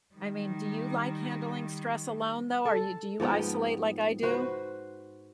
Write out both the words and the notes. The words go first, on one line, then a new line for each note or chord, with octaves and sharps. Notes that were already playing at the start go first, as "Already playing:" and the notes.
I mean, do you like handling stress alone though? Are you do you isolate like I do?
D#3 G3
A4
G#2 F3 B3 G5
F#4 B4 C5